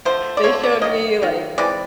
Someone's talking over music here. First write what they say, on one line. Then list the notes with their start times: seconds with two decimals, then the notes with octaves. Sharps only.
they showed me, like,
0.05 D3 F3 A3 C5
0.37 D5
0.44 D3 F3 A3 C#5
0.63 D5
0.81 D#3 F#3 A#3 D#5
1.22 D#3 F#3
1.58 E3 G#3 C4 D5